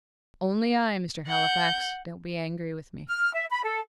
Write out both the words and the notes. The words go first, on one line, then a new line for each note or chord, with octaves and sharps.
"Only I, Mr. Halifax--don't be angry with me."
F#5 G6
F6
E5
B5
A4